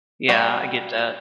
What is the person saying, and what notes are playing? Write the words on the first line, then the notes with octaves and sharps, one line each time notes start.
Yeah, I get that.
G3 F#4 G5